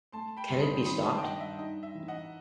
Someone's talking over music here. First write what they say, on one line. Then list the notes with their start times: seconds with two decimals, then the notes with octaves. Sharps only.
Can it Be Stopped?
0.12 A3 A5 C6
0.37 G5 B5
0.49 G2 C6
0.62 B5 D#6
0.77 C6
0.86 D#3 B5 D#6
1.04 A5 C6
1.18 G5
1.22 G2 D#5 F#5
1.36 D#5
1.40 E5
1.59 D#4 D#5
1.83 E5
1.95 E3
2.08 D#5 F#5